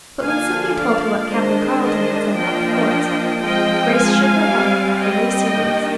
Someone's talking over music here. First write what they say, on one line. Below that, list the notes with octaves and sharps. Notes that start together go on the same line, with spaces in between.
But when Sylvia told her what Captain Carleton had said about the forts, Grace shook her head and looked very serious.
D3 F3 A#3 D4 F5 G#5
D5 F5
D#3 G#3 D4 C5 D#5
C5 D#5
F3 A#3 D4 D#5 G5
F3 G#3 C4 D#5 G5
F5 G#5
G3 C4
D#5 G5
D#3 G3 A#3 D4